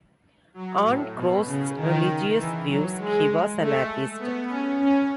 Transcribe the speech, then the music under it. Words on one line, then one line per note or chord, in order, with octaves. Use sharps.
On Grosch's religious views, he was an atheist.
F#3
A2
B2
C#3
D#3
E3
F#3
G#3
A3
B3
C#4
C#4